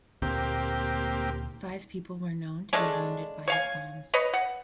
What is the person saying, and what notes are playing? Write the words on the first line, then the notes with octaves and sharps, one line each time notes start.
Five people were known to be wounded by his bombs.
D2 A#2 A#3 C4 G4
C#3 G#3 A3 D4
C#5 F5 G#5
B4 C#5 D#5
F#5